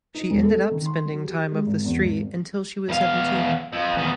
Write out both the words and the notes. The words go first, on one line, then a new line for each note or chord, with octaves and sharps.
She ended up spending time of the street until she was seventeen.
D#4
E1
A4
D#3
C6
F#3
G4
G#3
G#1
E2
G#1
E2 F5
F2
E2 D#3